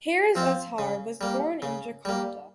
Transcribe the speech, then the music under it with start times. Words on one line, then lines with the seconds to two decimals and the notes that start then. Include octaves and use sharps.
Haris Azhar was born in Jakarta.
0.35 F3 C4 F4
0.78 C#3
1.21 G3 A#3
1.62 C#3
2.05 G3 A#3